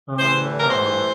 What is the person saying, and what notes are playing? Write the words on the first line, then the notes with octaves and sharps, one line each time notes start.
Oh, no.
A2 E3 G3 C5
A#4
C5